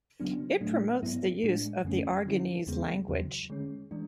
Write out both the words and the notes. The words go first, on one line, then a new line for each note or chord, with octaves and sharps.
It promotes the use of the Aragonese language.
C#3 F#3 B3 D4
A2 F#3 A3 D4
G#2 F#3 B3 E4
A2 G#3 D4
F#2 D3 A3 C#4
D3 F#3 C#4 E4
E2 C#3 G#3 B3
E2 C#3 F#3
D3 G#3 C#4
E3 G#3 D4